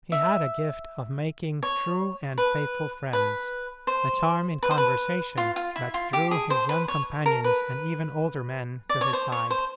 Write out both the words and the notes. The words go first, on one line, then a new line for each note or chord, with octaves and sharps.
He had a gift of making true and faithful friends, a charm in conversation that drew his young companions and even older men to his side.
E5
C#5
B4
B4
C5
B4
C5
B4
F4
F4
E4
F4
G4
G#4
C5
B4
C#5
A#4
B4
D5
C#5
C5
C#5
C5